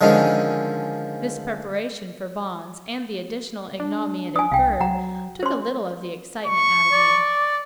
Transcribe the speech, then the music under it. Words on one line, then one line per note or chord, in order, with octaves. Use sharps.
This preparation for bonds, and the additional ignominy it inferred, took a little of the excitement out of me.
D3 D#3 F3 G#3 C#4
D4
D4 G#5 D#6
C2 F5 G5
F#3 F#5 A#5
C#4 C5 C6
C#6
D5